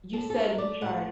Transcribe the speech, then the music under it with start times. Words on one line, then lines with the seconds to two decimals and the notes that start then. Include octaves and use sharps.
you said you tried
0.13 A2 A4
0.30 A4
0.36 D4 A#4
0.58 A3 D5
0.81 A2 F#5